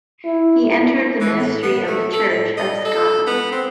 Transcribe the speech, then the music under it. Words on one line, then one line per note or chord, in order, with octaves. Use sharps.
He entered the Ministry of the Church of Scotland.
E4
E3
A2
B3
A3
A4
A2
D#5
A4
B3
C4